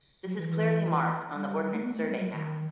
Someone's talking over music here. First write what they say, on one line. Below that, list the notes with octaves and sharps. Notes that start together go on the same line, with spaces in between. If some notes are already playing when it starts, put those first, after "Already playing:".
This is clearly marked on the Ordnance Survey maps.
F#3
E3
E3
G3
A3
B3
A3
G3
F#3
D#3